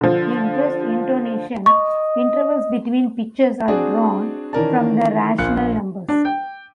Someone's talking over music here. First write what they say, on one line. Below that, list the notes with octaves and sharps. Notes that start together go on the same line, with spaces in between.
In just intonation, intervals between pitches are drawn from the rational numbers.
D3 F3
D#5 C#6
C4 D4 F#4 G#4 D5
D#3 E3 C#4 A#4 D5 A5
A#1 A#2 F5 F#6 C#7
D4
G5